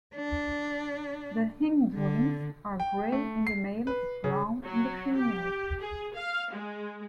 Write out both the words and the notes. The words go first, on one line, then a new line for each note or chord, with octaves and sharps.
The hindwings are grey in the male, brown in the female.
D4
D3
G5
A3
C7
B4
C#3
F#3
G4
G#4
F5
G#3